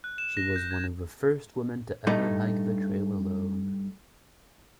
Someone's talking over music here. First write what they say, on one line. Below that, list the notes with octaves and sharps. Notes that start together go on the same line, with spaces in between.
She was one of the first women to ever hike the trail alone.
F#6
E7
A#6
G6
G#6
G2 A3 D#4